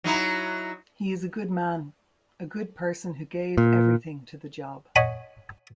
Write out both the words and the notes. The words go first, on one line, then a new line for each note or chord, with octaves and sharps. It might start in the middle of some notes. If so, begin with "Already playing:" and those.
He is a good man; a good person who gave everything to the job.
F#3 D#4 E4
A#2
C#5 D#5 F#5 G#5 B5